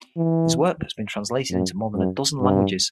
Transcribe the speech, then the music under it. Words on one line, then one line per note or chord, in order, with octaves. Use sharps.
His work has been translated into more than a dozen languages.
E3
F#2
F#2
G2